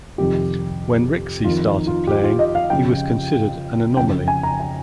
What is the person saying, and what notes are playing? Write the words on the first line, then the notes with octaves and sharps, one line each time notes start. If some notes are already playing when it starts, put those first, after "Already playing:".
When Rixey started playing, he was considered an "anomaly".
F2 C3 D#3 G4
F2 D#3 F4
D#4
F4
G4
F4
D#5
F5
F2 C#3 G5
F2 C#3 G5
G#5
A#5
G#5